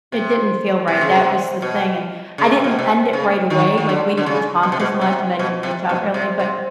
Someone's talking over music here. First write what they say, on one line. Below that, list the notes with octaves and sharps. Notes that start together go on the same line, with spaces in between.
It didn't feel right, that was the thing, and, I didn't end it right away, like, we didn't talk as much, and I didn't reach out really, but,
C3
C3
C#3
C3
B2
C#3
C3
B2
C3
C#3
D#3
D#3
D3
D3
C#3
B2
C3
B2
C3
B2
C3
B2
C3
C3